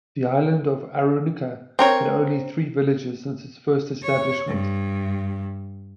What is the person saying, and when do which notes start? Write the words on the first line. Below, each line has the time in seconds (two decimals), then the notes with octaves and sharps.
The island of Aranuka had only three villages since its first establishment.
1.79 C4 A#4 C#5
4.03 C#5
4.48 G2